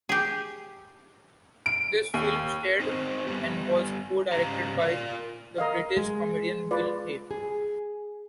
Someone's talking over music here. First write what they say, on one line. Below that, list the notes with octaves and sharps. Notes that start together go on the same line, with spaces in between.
This film starred, and was co-directed by, the British comedian Will Hay.
G4 G#4
D7
D#2
C4 D#4 F#4 C5
G3 B3 G4
G#2 C#3 G#3 G4 F5 A#5
F4 A#4 D5 F5
A#4 D#5 F5
G#3
F4 B4 D5
G#4